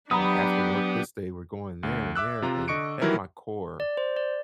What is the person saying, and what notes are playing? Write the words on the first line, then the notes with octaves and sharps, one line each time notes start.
uh, after work this day, we're going there and there," and at my core,
F#3 B3 D4 G4 A#5 B5 D#6
D2
E5 D6 E6 F#6
C3 F4 A#5
D3 D#5 C#6 C#7 D7
D#3 E3 F#3 G3 E4 A#4
D5
C5
D5